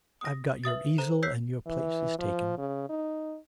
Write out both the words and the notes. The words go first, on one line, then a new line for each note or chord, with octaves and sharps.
I've got your easel, and your place is taken.'
D#6 A#6
B4 E5 D#6 A6
A4 C5 A#5 E7
C#5 E6 G6 B6 C7
E3
F3
C#3
D#4